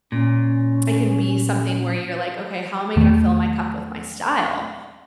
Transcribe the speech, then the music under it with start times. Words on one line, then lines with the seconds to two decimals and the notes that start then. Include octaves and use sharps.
it can be something where you're like, "Okay, how am I gonna fill my cup with my style,"
0.12 A#2 C#4
2.96 E2 D#3 A3